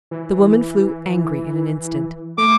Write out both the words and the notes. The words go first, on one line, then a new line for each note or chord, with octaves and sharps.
The woman flew angry in an instant.
E3
A3 D6